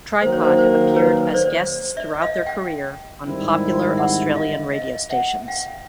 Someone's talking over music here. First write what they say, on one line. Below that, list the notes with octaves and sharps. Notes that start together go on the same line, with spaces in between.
Tripod have appeared as guests throughout their career on popular Australian radio stations.
D#3 F#3 A#3 C5
C#5
C5
C5
B4 C#5
C5 D5
D5 E5
D#5 F5
F5 G5
G#2 D#3 G3 C4 E4
E5 F#5
D#5 F5
D#5 F5
E5 F#5
F5 G5